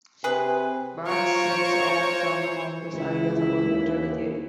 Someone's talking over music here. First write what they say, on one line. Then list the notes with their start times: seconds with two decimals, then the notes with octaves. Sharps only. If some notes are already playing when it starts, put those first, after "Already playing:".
Barthes sets out some of his ideas about literary theory.
0.24 C3 G#4 B4 G#5
1.06 F4 C5 C#5 A#5 C#6 D7
2.94 C#2 E4
3.66 D#2